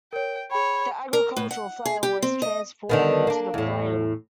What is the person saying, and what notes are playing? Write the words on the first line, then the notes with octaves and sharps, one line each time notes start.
The agricultural flail was transformed into the flail.
A#4 C#5 G5
G#4 C#5 G5 B5
A#4
A2
F#5
G#4
G4
C4
D#5
D3 D#3 B3
A#3 D4
E2 A2